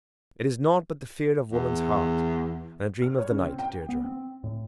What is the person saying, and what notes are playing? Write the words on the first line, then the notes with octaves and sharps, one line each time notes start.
It is nought but the fear of woman's heart, And a dream of the night, Deirdre.
E2
F6
C#5
C#3
C4
G5
B3
C4
A2